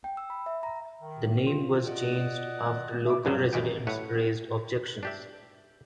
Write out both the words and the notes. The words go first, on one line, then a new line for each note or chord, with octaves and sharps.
The name was changed after local residents raised objections.
G5
E6
B5
E5
A#5
D#3
F4
D5 D#5 F#5
E5 D6
G2 C3 F3 F#3
A1 F#2 D#3 E3 B3 G5
A2 B4 C#5 E5 F#5
D4 G4 E5